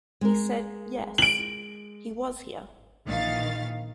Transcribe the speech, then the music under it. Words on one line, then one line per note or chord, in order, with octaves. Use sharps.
He said, yes, he was here.
G#3 A#4
D7 F#7
A#1 D#3 E3 F5 A6